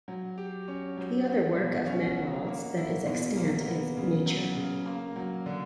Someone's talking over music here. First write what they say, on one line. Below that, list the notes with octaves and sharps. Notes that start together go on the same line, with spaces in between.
The other work of Medwall's that is extant is "Nature".
F#3
G4
C#4
F#3
F#4
B2
C#4
F#4
A#3
E4
B2
A#3
B3
C#3
F#3
C#3
A#3
F#3
D3